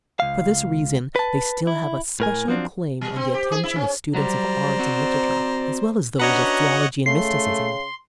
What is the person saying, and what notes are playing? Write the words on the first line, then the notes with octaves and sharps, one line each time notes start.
For this reason they still have a special claim on the attention of students of art and literature, as well as those of theology and mysticism.
C#2 F5
B4 A5
E4
A2 A#4 G#5
F3 F#3 C4 D4
G3
C4
G4
G#4
E4
C#4
F#3 G3 C5 D5 A#5
C4 F#4
C#4 D4 F#4 B4 C#5 D#5 F#5 A#5
C#3 A3 C6 C7